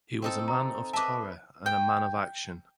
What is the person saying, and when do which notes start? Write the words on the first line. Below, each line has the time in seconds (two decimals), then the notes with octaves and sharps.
He was a man of Torah, and a man of action.
0.22 C4 D#4 A4
0.48 A#5
0.93 B4 D#5 E5 A5 D6
1.66 G5